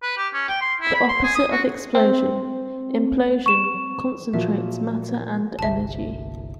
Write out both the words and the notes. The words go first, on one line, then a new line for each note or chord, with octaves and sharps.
The opposite of explosion, implosion concentrates matter and energy.
B4
G4
C#4
G5
C6
E4
B5
C6
G#4
D#6
F#4
C4
C#6 E7
A#2 F3 F#3 A#4 E5
G1 C2 E5 A5